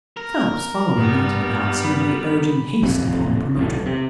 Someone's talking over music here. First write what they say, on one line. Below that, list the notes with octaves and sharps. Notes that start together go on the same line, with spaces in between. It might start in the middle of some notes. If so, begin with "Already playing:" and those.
Phelps, following Manton about, seemed to be urging haste upon the promoter.
A#4
G2 G3 B3
B5
D#1 A1 F2 C3
B1 E2 A2
C3